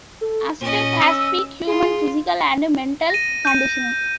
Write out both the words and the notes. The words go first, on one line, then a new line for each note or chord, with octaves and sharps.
Aztek has peak human physical and mental conditioning.
A4
A#2 C#4 D#5
E6
F4 G#4
A#6 D#7
G6 D#7